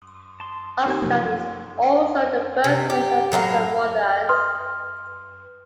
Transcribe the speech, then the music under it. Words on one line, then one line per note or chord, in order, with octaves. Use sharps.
Ardestan is also the birthplace of Hassan Modarres.
A5 C6
D#2 C4 G#5
C3 F3 F#3 A#3
C3
G4
A2 F#3 F5 A#5
B4 C6 D#6 F6